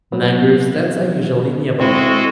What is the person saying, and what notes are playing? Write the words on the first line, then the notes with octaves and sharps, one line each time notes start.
Mangrove stands are usually nearby.
A#2 F#3 B3
G#3 C4 E4 F#4 A4 E5